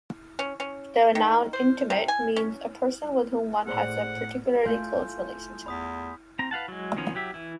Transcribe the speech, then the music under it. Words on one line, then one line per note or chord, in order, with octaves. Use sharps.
The noun "intimate" means a person with whom one has a particularly close relationship.
C#4
C#4
D#3
C5
C3
G#5
C#4
A2 G#4 C5 D5 F#5
A3 F4 F5 G#5 C6 G6
E2 B5 D#6 B6
C4 A#5
B4 F5 F#5 A5
F#3 G#3
D#3 F3 B3 C#4
F#3 G4 E5
E3 E4